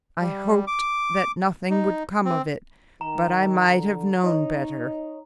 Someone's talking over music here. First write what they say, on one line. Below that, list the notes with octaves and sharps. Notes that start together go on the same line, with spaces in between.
I hoped that nothing would come of it, but I might have known better.
G3
D6
D#4
C4
D#3 A#5
D3
D#4 C#5 D#5